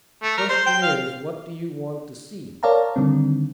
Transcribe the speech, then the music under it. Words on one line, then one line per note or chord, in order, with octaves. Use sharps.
"The question is, what do you want to see?"
A3
A#4
C5
G5
F5
A#4 C#5 D5 F5 A5 A#5
D3 D#3 G3 C4